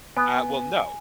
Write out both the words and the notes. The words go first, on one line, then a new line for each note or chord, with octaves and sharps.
Uh, well, no.
B3 G#5